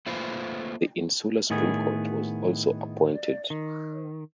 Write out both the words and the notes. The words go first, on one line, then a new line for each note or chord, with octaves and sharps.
The Insular Supreme Court was also appointed.
A3 A#3 F4 B4 C5
A2 D#3 B3 G#4
D#3